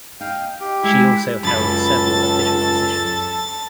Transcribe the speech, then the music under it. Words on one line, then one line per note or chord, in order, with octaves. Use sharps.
She also held several official positions.
D#4 F5 G5
G4
G3 G#3 E4
C#2 F#2 A4 B5 A6